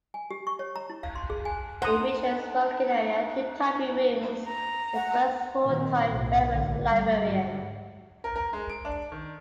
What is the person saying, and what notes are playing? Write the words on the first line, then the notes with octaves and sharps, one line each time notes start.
It featured a smoking area, two typing rooms, and its first full-time reference librarian.
G#5
G4
C#6
C#5
A#5
E4
F5
C6
G#4
G#5
D4 D#4 C5 F#5 A#5 D#6
A#5
F#5
A#2 D#3 F#3 A#3 C4
B1 A2
A1 G#2 D3
G3
G#2 D3 F#3 G3
A#4
A#4
G#3
D7
D4
D#3